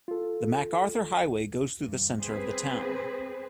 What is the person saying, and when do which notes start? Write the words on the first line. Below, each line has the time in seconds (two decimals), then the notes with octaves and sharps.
The MacArthur Highway goes through the center of the town.
0.08 F4 A4
1.82 G2
2.23 C4 G#4 B4 C5